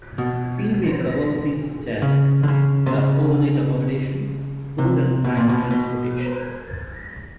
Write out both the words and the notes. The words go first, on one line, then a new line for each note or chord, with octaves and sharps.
Fees may cover things such as overnight accommodation, food and pack transportation.
B2
C#3
D3
C#3
C3
C#3
C3
B2
A#2
B2
B2